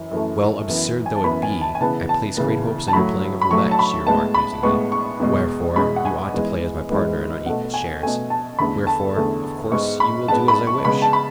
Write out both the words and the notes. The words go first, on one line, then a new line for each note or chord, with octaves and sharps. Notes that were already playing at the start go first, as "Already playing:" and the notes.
"Well, absurd though it be, I place great hopes on your playing of roulette," she remarked musingly; "wherefore, you ought to play as my partner and on equal shares; wherefore, of course, you will do as I wish."
Already playing: F#2 E3
F#2 E3 A3
F#2 E3 B3
G#5
A5
F#2 E3 B3 B5
G#5
A5
G#5
C#3 E3 B3 A5
A5
C#3 E3 B3
A5
A2 F#3 A3 B5
B5
A2 F#3 A3 C#6
A5
B5
A2 G#3 B3 A5
B5
A2 G#3 B3 C#6
C#6
E2 B2 G#3
E2 B2 G#3 B5
F#5
G#5
G#2 E3 G#3 B3
G#2 E3 G#3 B3
B2 A3 F#5
G#5
B2 A3 G#5
A5
E2 D3 A3 B5
A5
E2 D3 A3
G#2 G#3 B3 C#6
B5
G#2 G#3 B3 A5
B5
C#6
C#3 G#3 B3 B5
A5
B5